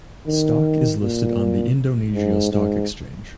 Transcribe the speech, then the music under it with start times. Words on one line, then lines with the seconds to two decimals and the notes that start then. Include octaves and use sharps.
Stock is listed on the Indonesia Stock Exchange.
0.27 D#3
1.02 A#2
2.14 G#2
2.52 G#2